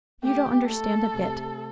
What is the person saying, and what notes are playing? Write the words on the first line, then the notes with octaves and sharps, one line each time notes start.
You don't understand a bit!
A3 G4
A3 A4
C3